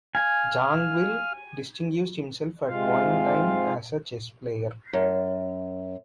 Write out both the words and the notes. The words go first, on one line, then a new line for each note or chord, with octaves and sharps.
Zangwill distinguished himself at one time as a chess player.
F5 G#5 F6
G#2 C3 G#3 F4 F5
F#2